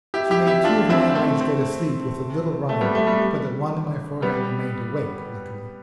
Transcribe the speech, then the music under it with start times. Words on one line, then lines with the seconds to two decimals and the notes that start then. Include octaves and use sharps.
She made two of my eyes go to sleep with a little rhyme, but the one in my forehead remained awake, luckily!'
0.14 E4 G4
0.31 E4 G4
0.47 E4 G4
0.64 D4 F4
0.89 C4 E4
1.15 A3 C4
1.41 A3 C4
2.69 A3
2.81 G3 B3
2.95 A3
3.07 G3
4.22 G3 B3